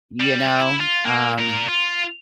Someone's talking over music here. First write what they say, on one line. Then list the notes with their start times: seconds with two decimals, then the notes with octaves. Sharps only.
you know, um,
0.20 G3
0.60 E4
0.80 F4
1.04 A#3
1.38 A#2 A#4
1.68 F4